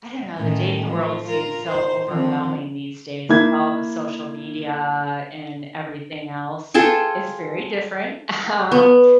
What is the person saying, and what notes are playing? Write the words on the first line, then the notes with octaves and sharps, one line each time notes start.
I don't know, the dating world seems so overwhelming these days with all the social media and everything else. It's very different, um,
A2 D#3 C#4
F3 A3
F4 A#4
C5
D#3 F3 C4
A#3 E4 G#6
F4 G#4 A4 G5
B3